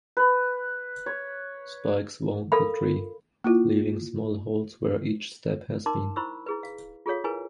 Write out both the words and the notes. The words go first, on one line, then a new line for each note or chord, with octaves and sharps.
Spikes wound the tree, leaving small holes where each step has been.
B4
C#5
A4 A#4 F5 B5
A#3 E4 F4
D#4 A#4 A5 C6 D6
E4 C5 B5 C#6 E6
E4 G#4 B4
F5
F4 G#4 A4 C#5 F5
E4 G#4 A#4 B4 G#5